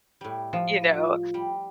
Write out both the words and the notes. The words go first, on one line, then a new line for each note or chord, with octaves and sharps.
you know.
A2 G3
F3
F4
G3